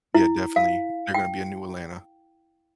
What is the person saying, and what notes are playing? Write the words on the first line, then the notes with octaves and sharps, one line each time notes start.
Yeah, definitely, there gonna be a new Atlanta.
E4
F5
G5